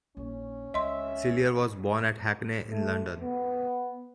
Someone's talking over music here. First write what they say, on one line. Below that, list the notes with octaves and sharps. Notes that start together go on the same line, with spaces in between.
Cellier was born at Hackney, in London.
A#1 C#4 D#4
C#2 D#5 E5 C6
A3
B3